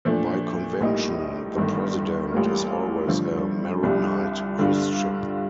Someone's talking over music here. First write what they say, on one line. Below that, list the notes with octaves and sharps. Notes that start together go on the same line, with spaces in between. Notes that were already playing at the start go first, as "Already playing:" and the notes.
By convention, the president is always a Maronite Christian.
A#2 F3 A3 D4
A#1 A2 G3 A#3 D#4
G1 G2 D#3 A3
A1 A2 G3 A#3 F4
G2 D3 F3 A3
C2 C3 G3 D4 F4
G2 D3 G3 D4 F4